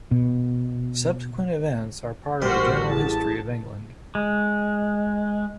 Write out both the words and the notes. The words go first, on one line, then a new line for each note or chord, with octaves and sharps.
Subsequent events are part of the general history of England.
B2
A1 G3 F#4 A#4 C5 F6
E4 G#4 A5
G#3